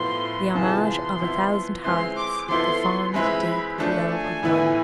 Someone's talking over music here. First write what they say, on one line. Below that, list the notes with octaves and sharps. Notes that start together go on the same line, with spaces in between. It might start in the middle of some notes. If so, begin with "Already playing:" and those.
"The homage of a thousand hearts; the fond, deep love of one."
Already playing: A2 F3 B3 F4 C6
C3 E3 B3 F4 G#4 A5
C6
F3 B3 E4
G#3 C4 E4 B4 C6
D6
F3 B3 E4 A4 C6
E3 G#3 C4 E4 B4 B5
F3 A3 D4 A4
G#5
A2 E3 B3 E4 B4